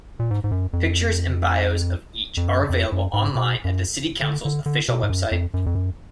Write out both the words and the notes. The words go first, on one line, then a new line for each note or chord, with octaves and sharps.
Pictures and bios of each are available online at the City Council's official website.
A#2
G#2
G#2
F#2
F2
F2
F#2
F2
F#2
G#2
B2
F#2
D3
D3
D3
B2
G#2
F#2
F2
F#2
F2
F#2